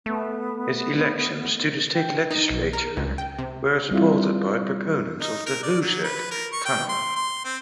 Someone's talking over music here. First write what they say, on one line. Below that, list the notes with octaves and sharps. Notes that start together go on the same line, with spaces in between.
His elections to the state legislature were supported by proponents of the Hoosac Tunnel.
A3 B3
G5
D#4
B1
A#4
C#2
G5
C3
G3 C4 E4 F4
D#4
A#4
D5
F#3
B4
A#4
C#6
G5
C6
C6
C4